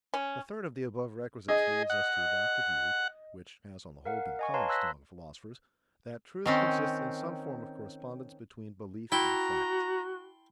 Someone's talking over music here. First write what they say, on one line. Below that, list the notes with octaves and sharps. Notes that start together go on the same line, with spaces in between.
The third of the above requisites leads us to adopt the view--which has on the whole been commonest among philosophers--that truth consists in some form of correspondence between belief and fact.
C#4
G#4 D#5
F#5
A#4 F5 F#5
D#5 G#5 C#6
B4 C#5 F5 A5 A#5 C6
C6 E6 F#6 A#6 B6
D#3 C4 C#4
E4 F#4 G5 A5 A#5 C6